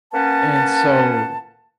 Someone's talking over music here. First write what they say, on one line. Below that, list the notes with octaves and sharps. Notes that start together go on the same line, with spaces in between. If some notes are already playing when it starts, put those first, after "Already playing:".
and so
A#3 C#4 B4 F#5 A5